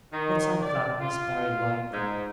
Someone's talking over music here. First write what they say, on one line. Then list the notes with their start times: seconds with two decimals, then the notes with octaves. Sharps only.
But I'm glad Miss Barry liked them.
0.13 D#3
0.62 D5
1.00 F4
1.92 G#2